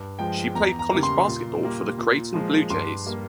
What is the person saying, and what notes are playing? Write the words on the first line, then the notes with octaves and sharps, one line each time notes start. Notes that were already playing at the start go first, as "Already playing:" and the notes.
She played college basketball for the Creighton Blue Jays.
Already playing: G2
F3 G#3 G5
E2 A#5
A#5
C#3 G3 A#3
C6
A#2
G3 A#3
A#2
F3 G#3
G2 C6
G3 A#3